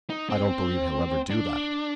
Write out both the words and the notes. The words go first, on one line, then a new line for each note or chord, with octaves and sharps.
"I don't believe he'll ever do that."
D#4
C4
D4